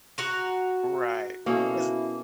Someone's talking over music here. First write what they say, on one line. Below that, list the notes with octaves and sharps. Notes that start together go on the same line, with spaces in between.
Right. 'Cause
F#4 A#5
B2 A#3 C#4 E4 A4